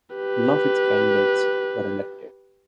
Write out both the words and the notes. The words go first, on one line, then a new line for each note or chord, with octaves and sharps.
None of its candidates were elected.
G4 B4